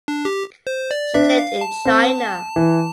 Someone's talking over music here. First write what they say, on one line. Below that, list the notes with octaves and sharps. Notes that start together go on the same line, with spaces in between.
She lived in China.
D4
G4
C5
D5
D4 E5
F5
A5
C4
E3